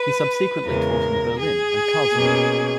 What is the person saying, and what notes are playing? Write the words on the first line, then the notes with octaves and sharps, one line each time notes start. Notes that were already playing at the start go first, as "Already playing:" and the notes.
He subsequently taught in Berlin and Karlsruhe.
Already playing: B4
E2 C#3 G#3 A#4
G#4
B2 A#3 C#4